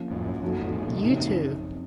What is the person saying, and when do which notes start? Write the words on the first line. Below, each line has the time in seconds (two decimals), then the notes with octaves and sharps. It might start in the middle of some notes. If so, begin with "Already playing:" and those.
You too.
Already playing: F3 A#3 C#4 F4
0.11 F2 A2
0.26 F#2
0.42 F#2 F3 A#3 D#4 F#4 A4
0.52 F#2
0.62 F2 A2
0.72 F#2 A#2
0.87 A#2 C#3
1.03 F#2 A#2 C#3 F3 C4 D#4